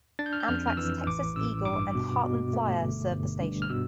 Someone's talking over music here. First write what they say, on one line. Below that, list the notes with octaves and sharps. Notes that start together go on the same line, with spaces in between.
Amtrak's "Texas Eagle" and "Heartland Flyer" serve the station.
D4 A6
G6
F6
G6
F2 F6
F6
E3 E6
A1 D6
A1 E6
G2 D6
B2
B2
A3
G1
G1
G2
F6
B2 E6